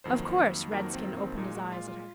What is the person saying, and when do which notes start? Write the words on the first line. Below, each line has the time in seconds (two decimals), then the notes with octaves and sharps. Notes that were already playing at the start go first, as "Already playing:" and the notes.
'Of course!' Redskin opened his eyes at her.
0.04 F2 D#3 F#3 A#3 C5
0.71 F2 D#3 F#3 A#3 A#4
0.94 C4
1.16 C4
1.38 A#2 G#3 D#4
1.55 F#4
1.72 F4
1.88 F4